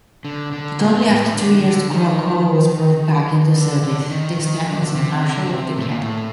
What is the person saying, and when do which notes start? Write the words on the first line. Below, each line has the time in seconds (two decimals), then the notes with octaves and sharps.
But only after two years Krockow was brought back into service: this time as marshal of the camp.
0.25 D3
0.52 D3
0.80 A#2
1.08 A2
1.35 D3
1.54 D#3
1.63 D3
1.90 D#3
3.56 D3
3.83 D3
4.01 D3
4.11 D#3
4.39 D#3
4.67 D3
4.75 D#3
4.82 D3
4.94 C3
5.21 D3
5.45 D3
5.49 C3
5.77 A2
5.89 A#2
6.00 A2